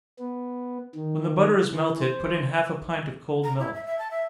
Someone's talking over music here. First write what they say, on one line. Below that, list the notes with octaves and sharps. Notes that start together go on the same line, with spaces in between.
When the butter has melted, put in half a pint of cold milk.
B3
D#3
E3
C5
A#5
E4
E5
E5
A5
E5